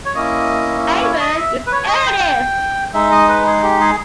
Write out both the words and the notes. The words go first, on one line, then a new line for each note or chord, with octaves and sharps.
Hey Vern, It's Ernest!
C#5
A#3 C#4 E4 D#5
C#5
D#5
E5
B4
C#5
D#5
G5
G#3 D#4 E5
D#5
B4
G#4
G4
G#4